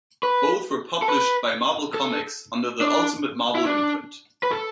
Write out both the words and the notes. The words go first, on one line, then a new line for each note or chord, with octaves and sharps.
Both were published by Marvel Comics under the Ultimate Marvel imprint.
B4
A4
B4
A4
D4
E4
D4
B4
A4